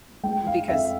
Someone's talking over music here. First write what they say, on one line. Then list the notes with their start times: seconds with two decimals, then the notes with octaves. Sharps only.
Mm, because,
0.23 G#3 G5
0.47 F5
0.68 F2 E5